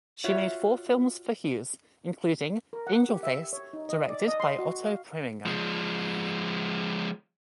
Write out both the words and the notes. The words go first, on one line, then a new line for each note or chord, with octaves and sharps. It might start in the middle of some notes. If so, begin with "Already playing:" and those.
She made four films for Hughes, including "Angel Face", directed by Otto Preminger.
F4 F#4 C#5 D5 E5
A#4
F#5
G4
E5
C#5
D#4
D#5
D5
D#5
C6
F#4
F5
F3 G#3